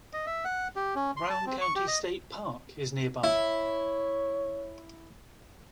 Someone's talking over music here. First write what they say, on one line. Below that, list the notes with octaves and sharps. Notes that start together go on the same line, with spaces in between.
Brown County State Park is nearby.
D#5
E5
F#5
G4
C#4
C6
A5
C4
C#6
G4
D#5
E4 C#5